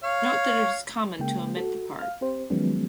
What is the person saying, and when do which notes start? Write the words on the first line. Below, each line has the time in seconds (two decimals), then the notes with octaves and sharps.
Note that it is common to omit the part.
0.04 C#5 F5
1.19 C#3 G#3 A#3 G5
1.57 F#4 A4
1.99 F5 F6
2.21 C4 G4 C5
2.50 D#3 F3 F#3 G#3 B3 C#4